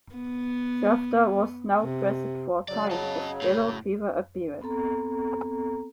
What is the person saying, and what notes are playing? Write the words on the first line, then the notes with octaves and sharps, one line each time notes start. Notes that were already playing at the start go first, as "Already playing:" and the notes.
Shafter was now pressed for time as Yellow fever appeared.
B3
C3
C#3 F#3 D5
D#5 A5
A2
B3 C4 A4 A#5